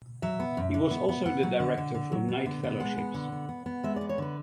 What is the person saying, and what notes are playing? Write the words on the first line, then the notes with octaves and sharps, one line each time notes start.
He was also the director for Knight Fellowships.
F#3 E5
B3
F#2
D3
B3
B3
B3 F#5
F#3
D3
D3
D3
F#3
B3
D3
B3
G#3 F#5
B3
D3
B3
B3
B3
G#3 E5
B3 D5
C#5
D3 B4